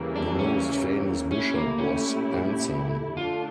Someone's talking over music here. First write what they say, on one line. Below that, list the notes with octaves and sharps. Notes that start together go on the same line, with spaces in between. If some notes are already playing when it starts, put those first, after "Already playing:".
The most famous bishop was Anselm.
Already playing: E2 C#3 E3 G3 A#3
D4
C#4
A#2 A3 C#4 E4 G4
A#3
C#4
D3 A3 D4 F4